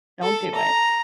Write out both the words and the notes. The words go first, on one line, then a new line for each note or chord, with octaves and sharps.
Don't do it.
A4
A#5